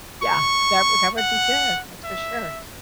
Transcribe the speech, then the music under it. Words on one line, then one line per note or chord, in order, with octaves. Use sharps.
Yeah. That would that would be good. That's for sure.
C#6
F#5
E5